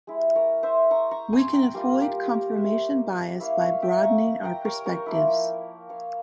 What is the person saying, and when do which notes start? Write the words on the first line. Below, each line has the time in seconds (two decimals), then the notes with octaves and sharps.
We can avoid confirmation bias by broadening our perspectives.
0.07 G#3 E4
0.35 A#4 C#5
0.63 C5 E5
0.91 A#5 C#6
1.11 A#5 C#6
1.33 G#5 C6
1.53 G5 A#5
1.74 G3 A#3 F4 F5 G#5
2.01 G4 A#4
2.29 A#4 C#5
2.57 C5 E5
3.40 A#3 E4 C#5 F5
3.61 C#5 F5
3.82 E5 G5
4.03 A#5 C#6
4.44 G5 A#5
4.65 A#4 C#5
4.86 A#4 C#5
5.06 F3 A#3 E4
5.89 C#5 F5